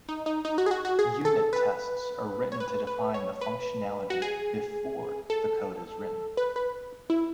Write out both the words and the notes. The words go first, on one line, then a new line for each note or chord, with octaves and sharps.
Unit tests are written to define the functionality "before" the code is written.
D#4
D#4
D#4
F#4
G#4
F#4
F#4
G#4
A4
B4
C#5
B4
B4
C#5
B4
F#4
G#4
A4
B4
B4
E4